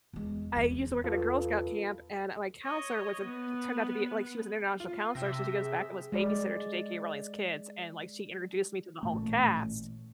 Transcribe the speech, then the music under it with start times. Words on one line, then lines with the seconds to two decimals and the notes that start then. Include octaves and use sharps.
I used to work at a Girl Scout camp, and my counselor was a turned out to be, like she was an international counselor, so she goes back and was babysitter to J.K. Rowling's kids, and, like, she introduced me to the whole cast,
0.13 E2 G#3
0.56 E2
1.04 F4 A4 B4
2.63 C#5 D#5
3.23 B3
4.80 F4
5.15 C3 E5 G5 A#6
5.53 G#4
6.12 G#3 D5
9.03 A1 A#2 A3